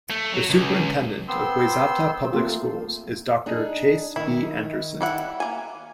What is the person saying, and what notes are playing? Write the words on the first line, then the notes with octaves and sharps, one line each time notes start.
The superintendent of Wayzata Public Schools is Doctor Chace B. Anderson.
A3
F#3
C#2
B3 C4 C6 E6
A3 A#3 C4 F4
D4 D#4 G#4
D#3 D#4 E4
G3 E4 F#5
A#3 G#5